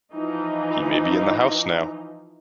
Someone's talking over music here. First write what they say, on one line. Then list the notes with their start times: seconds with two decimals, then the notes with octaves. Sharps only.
He may be in the house now!
0.13 E3 F3 D#4